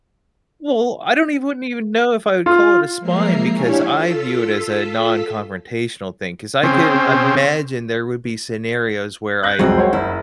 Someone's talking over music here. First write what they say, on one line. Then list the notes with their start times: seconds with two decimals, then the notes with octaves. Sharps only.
Well, I don't even wouldn't even know if I would call it a spine, because I view it as a nonconfrontational thing. 'Cause I could imagine there would be scenarios where I
2.46 F4
2.99 F3 G#3 A#3 E5 A#5 C7
3.53 D4 E4 G4 C#5 F5 G#5
3.90 F4 A4 E6 B6
6.63 C#3 C4
9.43 F#6 G6 A#6
9.59 C2 F2 F#3 G#3 C4
9.77 C5 C#5 F#5
9.93 F#1 E4